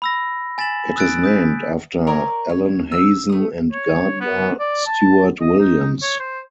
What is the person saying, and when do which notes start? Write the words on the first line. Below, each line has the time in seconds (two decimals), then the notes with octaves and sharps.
It is named after Allen Hazen and Gardner Stewart Williams.
0.02 B5 E6 A#6
0.58 G#5 A6 B6 E7 F#7
0.96 D#6 E6 F#6 G#6 A6 D7
1.24 D#6 G6 B6
2.07 A#4 C#5 D5 G#5
2.49 C#5
2.92 E6
3.29 A3 D#6
3.73 C#5
4.21 B3
4.60 D5
4.86 A5
5.41 D#5
5.60 D#4
6.03 C#5
6.20 C5